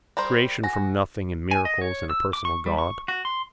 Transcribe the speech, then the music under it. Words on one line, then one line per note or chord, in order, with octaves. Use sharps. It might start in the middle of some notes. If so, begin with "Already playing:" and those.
Creation from nothing and miracles and a personal God.
G3 A#4 C5
F#4 G#5 A#6
G#5
D#5
C#5
E6
D6
C#6
G3
C#6
F#4
C6